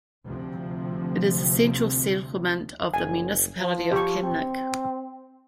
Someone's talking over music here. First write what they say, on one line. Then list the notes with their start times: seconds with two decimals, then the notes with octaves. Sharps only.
It is the central settlement of the Municipality of Kamnik.
0.25 D2 C3 F3 C4
2.94 F#1 G#5
3.60 F3
3.92 G4 C#6
4.23 C4